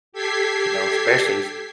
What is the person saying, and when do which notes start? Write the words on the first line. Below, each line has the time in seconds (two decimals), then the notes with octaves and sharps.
You know, especially s
0.12 G4 A4 G#6 B6 C7